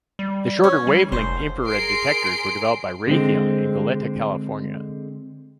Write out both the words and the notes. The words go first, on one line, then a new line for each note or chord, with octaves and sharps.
The shorter-wavelength infrared detectors were developed by Raytheon in Goleta, California.
G3
C#4
G3
F1 C5
G#4 A#4 C6 C7 D7
D3 G#3 C4